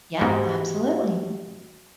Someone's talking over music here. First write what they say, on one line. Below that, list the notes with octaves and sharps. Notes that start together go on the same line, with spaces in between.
Yep, absolutely.
G#2 F#4 G4 G5